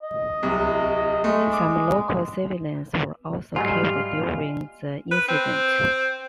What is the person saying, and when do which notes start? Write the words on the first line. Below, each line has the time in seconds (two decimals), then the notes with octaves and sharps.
Some local civilians were also killed during the incident.
0.03 D#5
0.43 D1 C2
1.24 G#3 A3
1.53 D6
3.56 G#2 F#3 G3 A3 F4 D#5 F5 G#5
5.11 B4
5.28 C4